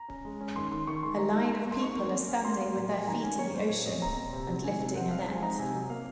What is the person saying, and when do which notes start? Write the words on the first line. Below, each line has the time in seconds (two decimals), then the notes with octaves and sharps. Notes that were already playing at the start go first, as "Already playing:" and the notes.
A line of people are standing with their feet in the ocean and lifting a net.
Already playing: A#5
0.08 C#4
0.25 G#3
0.41 C#4
0.56 D#3 C6
0.72 D#3 C6
0.87 D#3 C#6
1.03 G#3 C6
1.19 D#4 A#5
1.35 D#4
1.50 A#3
1.66 A#3
1.72 C6
1.82 D#4 C#6
1.98 A#3
2.13 C#4
2.28 C#4
2.44 A#3 C6
2.60 A#3
2.76 A#2
2.91 F#3
2.97 G#5
3.07 D#3 A#5
3.22 C#4 G#5
3.39 A#3 C#5
3.54 A#3 C5
3.70 A#2 C#5
3.86 A#2 D#5
4.02 C4 A#5
4.17 A#2
4.32 C3
4.48 F#3
4.64 D#3 G#5
4.80 C3
4.95 C4 F#5
5.11 F3 F5
5.27 G#3 G#5
5.42 D#4 A#5
5.59 C3 G#5
5.74 F#3
5.90 A#3 F5